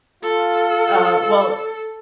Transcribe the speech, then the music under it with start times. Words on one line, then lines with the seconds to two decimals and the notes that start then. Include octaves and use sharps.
Uh, well,
0.23 F4 A4